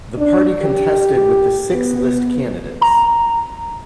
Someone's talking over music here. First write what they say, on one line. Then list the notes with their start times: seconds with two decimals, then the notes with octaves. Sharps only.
The party contested the with six list candidates.
0.19 D4
0.63 G4
1.73 B3
2.81 A#5